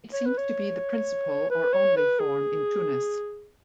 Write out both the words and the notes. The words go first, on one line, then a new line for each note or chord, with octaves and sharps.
It seems to be the principal or only form in Tunis.
C#5
B4
C#5
B4
C#5
B4
G#4